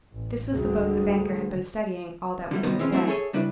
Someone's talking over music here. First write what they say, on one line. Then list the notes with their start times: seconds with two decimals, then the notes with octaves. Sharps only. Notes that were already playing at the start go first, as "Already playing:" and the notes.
This was the book the banker had been studying all that winter's day.
0.14 A1
0.52 D2 D3 G3 G#4
2.51 D3 G3 A3
2.63 B2 D#3 F3 G3 B3 D#4
2.79 E3 G#3 C4 C#4
2.92 F#3 G3 A3 C4 E4
3.08 G#4 A4 C#5 E5 G5 G#5
3.33 C#3 G3 D4 E4 B4